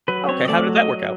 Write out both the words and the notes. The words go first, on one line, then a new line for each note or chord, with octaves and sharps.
Okay, how did that work out?
F#3 B4
C4 C#5
D#5
A3 D5
F#3
D#5
F#3